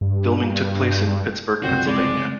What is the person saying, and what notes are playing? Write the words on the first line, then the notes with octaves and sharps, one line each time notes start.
Filming took place in Pittsburgh, Pennsylvania.
G2
F#1 C2 F2 F#4 C5 C#5 G5
C#3 G#3 C4 E4 D5